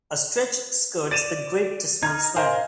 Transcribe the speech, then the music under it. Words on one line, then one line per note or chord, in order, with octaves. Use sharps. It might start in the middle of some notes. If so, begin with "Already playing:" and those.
A stretch skirts the Great Dismal Swamp.
D5 A6 D#7 E7
D#4 A#5 F6 G#6
A#4 C5 D#5 F5 G#5